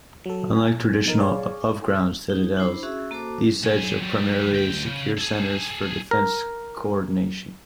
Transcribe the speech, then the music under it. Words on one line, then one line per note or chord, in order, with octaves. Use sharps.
Unlike traditional above-ground citadels, these sites are primarily secure centres for defence co-ordination.
F#3 A4
G#5
B2 F3 D#4 A#4
G#4 C#5 D5 F5
E6
D#4
D4 E4 C5 B5
C#4 F#4 G#4 E5 E6
A#3 F#4 A4 C5 A5 D6
F#3 G#5
F#3 G3
D2 G5
C#3
G#4 A4
A#4